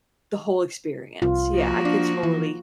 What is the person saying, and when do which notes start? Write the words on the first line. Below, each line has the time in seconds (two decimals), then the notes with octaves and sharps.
the whole experience. Yeah, I could totally s
1.22 C2 F4
1.53 F3 A#3 F#4
1.85 D4
2.23 E3